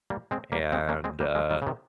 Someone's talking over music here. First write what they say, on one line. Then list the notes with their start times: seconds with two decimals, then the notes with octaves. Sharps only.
and, uh,
0.10 G3 A#3
0.31 G#3 C4
0.52 G3 A#3
0.72 G#3 C4
0.89 A#3 C#4
1.04 G#3 C4
1.20 G3 A#3
1.35 F3 G#3
1.50 D#3 G3
1.62 C#3
1.67 C3 D#3